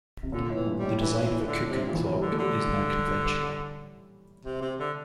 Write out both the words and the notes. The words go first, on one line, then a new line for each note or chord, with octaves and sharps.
The design of a cuckoo clock is now conventional.
C3
A#2 D3
A2
E3
G2
A2 G3
E3
E3
D3
C3
A#2
E3
C3
G3
D3
A3
D3 G3
G3
C3
C3
D3